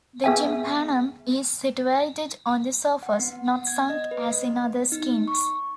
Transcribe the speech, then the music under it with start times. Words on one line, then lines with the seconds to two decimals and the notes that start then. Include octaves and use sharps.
The tympanum is situated on the surface, not sunk as in other skinks.
0.24 B3 G#4 E5 G5 G#5
3.03 F#5
3.19 B3
3.67 G#6
3.90 D#5
4.11 B4
4.45 B3
4.92 D#4
5.28 C#6